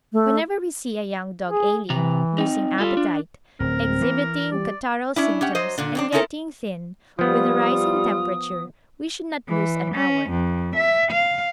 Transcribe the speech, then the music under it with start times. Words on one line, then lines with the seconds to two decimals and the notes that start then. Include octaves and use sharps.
Whenever we see a young dog ailing, losing appetite, exhibiting catarrhal symptoms, and getting thin, with a rise in temperature, we should not lose an hour.
0.13 A3
1.50 G#4
1.90 C3 E3 A#5
2.38 C4 D#4
2.78 G3 F4 A4
2.97 D4
3.60 D1 C4 A#4
4.02 E3
4.52 G3 D5
5.16 C#4 D4 E4
5.41 C#4 G4 F#5
5.55 F#3 C5 D#5
5.78 A#2 D3 D4
5.95 F2 C4 D4
6.12 C4 D#4 E4 G4 A4 A#4
7.19 F3 G3 B3 F4 D#6
9.48 E3
9.94 C#4
10.29 F2
10.76 E5
11.11 F5